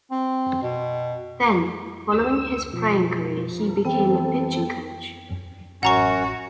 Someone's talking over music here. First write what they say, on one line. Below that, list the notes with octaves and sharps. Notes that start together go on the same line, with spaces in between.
Then, following his playing career, he became a pitching coach.
C4
B2
D2 E6
B2 F3
E3 B3 C4 A4 G5
A1 F#2 C#4 F#4 F#5 A#5 C#6